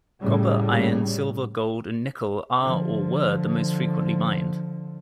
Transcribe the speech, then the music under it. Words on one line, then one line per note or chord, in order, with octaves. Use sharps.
Copper, iron, silver, gold and nickel are or were the most frequently mined.
A2 C#3 G3
D3 F3